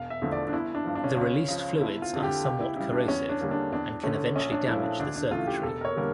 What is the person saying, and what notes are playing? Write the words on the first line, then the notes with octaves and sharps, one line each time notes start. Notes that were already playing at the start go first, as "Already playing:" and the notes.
The released fluids are somewhat corrosive and can eventually damage the circuitry.
Already playing: E1 F5
E5
E2 D3 F3 A3
D5
D4
G1 E4
D4
G2 F3
D4
C#4
C#2 C#4
C#3 F3
G1 E4
F4
F2 D3
G4
C#2 G4
E4
C#3 G3 E4
D4
E2 C#4
D4
D3 G3 A#3
D4
E2 D4
D3 A3 C#4
A#1 C#4
D4
A#2 F3 A3 E4
D4
D2 D4
D4
C#3 E3 A3 F4
G4
E1 A4
A#4
C#5
D3 G3 A#3 A#4